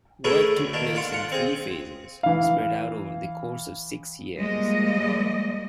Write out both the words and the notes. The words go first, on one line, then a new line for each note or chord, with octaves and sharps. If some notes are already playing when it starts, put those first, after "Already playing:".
Work took place in three phases spread out over the course of six years.
A3 C#4 E4 G#4 A#4 B4
D2
D#3 A#3 D4
D5 F5 F#5 C6
F4 F#5
C4 G#4
E3 F5
F3 G3 G#3 A#3 D#5